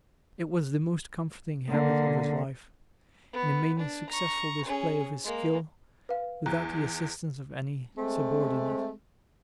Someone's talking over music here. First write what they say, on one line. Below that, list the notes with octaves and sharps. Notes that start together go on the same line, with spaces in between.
It was the most comforting habit of his life, in a mainly successful display of his skill without the assistance of any subordinate.
D3 A#3
B3
D4
A#5 C#6
C#4 G#4
G#3 A#3
B4 F5
E2 A#5 F#6
G#3 A3 C4